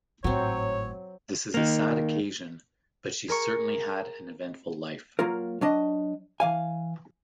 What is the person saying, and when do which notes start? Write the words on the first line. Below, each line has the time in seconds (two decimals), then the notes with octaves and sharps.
This is a sad occasion, but she certainly had an eventful life.
0.24 G#1 A2 F#3 C4 C#5
1.54 D#3 A#3
3.28 G#4 A#4 A#5 C#6
5.19 F#3 A#3 F4 A#4
5.61 F#3 D4 D#5
6.40 E3 F5 G#5